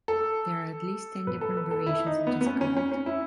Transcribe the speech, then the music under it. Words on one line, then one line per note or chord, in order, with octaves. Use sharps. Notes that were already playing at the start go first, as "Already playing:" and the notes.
There are at least ten different variations of this card.
A4
B2 B4
A4
B4
A4
E4
D#4
B3
B3
C#4
C#4
C#4
C#4
E4